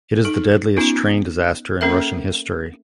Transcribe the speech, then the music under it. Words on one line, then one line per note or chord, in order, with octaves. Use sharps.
It is the deadliest train disaster in Russian history.
D#4 A4
B3 C#4 D#4 F4
A#3 C#4 A4 A#4 E5